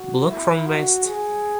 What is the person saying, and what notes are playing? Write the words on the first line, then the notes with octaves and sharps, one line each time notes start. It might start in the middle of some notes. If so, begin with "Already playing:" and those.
Block from west.
Already playing: F#4
E4
F#4
G#4